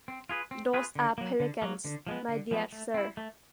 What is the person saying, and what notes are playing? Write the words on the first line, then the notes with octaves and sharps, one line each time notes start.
Those are pelicans, my dear sir.
C4
F4 G#4 B4
C4
F4 G#4 B4
D3
F#3 A#3
D3
F#3 A#3
D3
F3 G#3 B3
D3
F3 G#3 B3
A3
C4 E4
A3